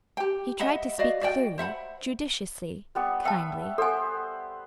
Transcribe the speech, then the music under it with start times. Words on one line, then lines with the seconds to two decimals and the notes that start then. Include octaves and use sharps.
He tried to speak clearly, judiciously, kindly.
0.17 G4 G5
0.59 D#5 E5 F#5 B5
0.98 F#4 D5 D#5 F5
1.21 F#4 D5 G5
1.58 C5 E5 F#5 B5
2.95 G3 B3 C#6
3.25 E5 G5 A5
3.78 B3 A4 C5 G#5